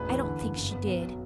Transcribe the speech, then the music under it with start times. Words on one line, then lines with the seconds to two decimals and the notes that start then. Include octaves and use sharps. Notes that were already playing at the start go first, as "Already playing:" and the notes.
I don't think she did.
Already playing: E1 A1 B4
0.09 E3
0.24 D3
0.40 F#1
0.56 G1
0.72 B3
0.87 B1
1.02 F#3